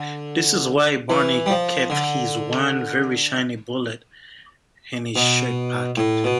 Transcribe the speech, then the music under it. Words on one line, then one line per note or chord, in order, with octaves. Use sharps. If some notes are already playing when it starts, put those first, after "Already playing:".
This is why Barney kept his one very shiny bullet in his shirt pocket.
Already playing: D3
E3
G3
F3
D3
B2
A2
B2